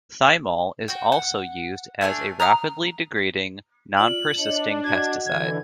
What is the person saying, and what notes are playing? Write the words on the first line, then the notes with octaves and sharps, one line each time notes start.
Thymol is also used as a rapidly degrading, non-persisting pesticide.
F#4 G5
F#5
A3 D4 G#5 F6
A#5 D#6 F6 F#6
F4 D5 F#7
D4 C#5 D#5
F#4 D#5 F#5 G#6
D3 E3 G#6